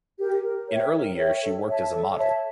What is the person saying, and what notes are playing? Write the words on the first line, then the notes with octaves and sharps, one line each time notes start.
In early years she worked as a model.
G4 A#4
A#4
C#5 E5 G5
A#4
C#5 E5 G5
A4
C#5 E5 A5
A4
C#5 E5 A5